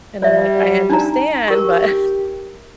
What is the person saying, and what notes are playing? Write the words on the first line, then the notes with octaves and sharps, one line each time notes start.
And I'm like, "I understand, but"
G3 D5 E5
D4 D#4 A#5
G4 A#4 C#6